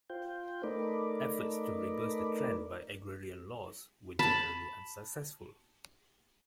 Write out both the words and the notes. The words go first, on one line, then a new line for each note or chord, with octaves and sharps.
Efforts to reverse the trend by agrarian laws were generally unsuccessful.
F4 C5 G5
A3 D#4 A#4 B4 D5
A5 B5